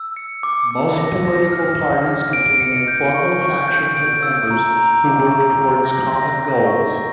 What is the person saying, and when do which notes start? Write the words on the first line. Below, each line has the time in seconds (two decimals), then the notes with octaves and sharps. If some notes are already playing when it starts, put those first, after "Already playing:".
Most political parties contain informal factions of members who work towards common goals.
Already playing: E6
0.16 C#7
0.43 D6
0.71 D6
0.98 A#6
1.25 A#6
1.52 F6
1.79 F6
2.06 F6
2.33 D7
2.60 C#7
2.88 G6
3.14 C#6
3.41 C#6
3.68 G6
3.96 D7
4.23 E6
4.50 A#5
4.77 A#5
5.04 D6
5.31 A#5
5.58 A#5
5.85 A#6
6.12 A#6
6.40 A#6
6.66 C#6
6.93 A#6